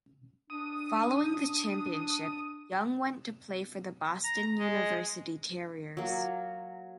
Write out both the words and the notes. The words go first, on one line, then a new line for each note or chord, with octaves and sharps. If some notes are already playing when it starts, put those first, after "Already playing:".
Following the championship Young went to play for the Boston University Terriers.
D4 D#6
A#5
G#3 D#5
F#3 A#3